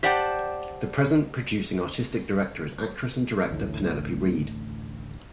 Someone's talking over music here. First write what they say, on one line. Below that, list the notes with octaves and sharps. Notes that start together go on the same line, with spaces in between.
The present Producing Artistic Director is actress and director Penelope Reed.
G4 C5 D5 F#5 G5 A5
A1 D2 A2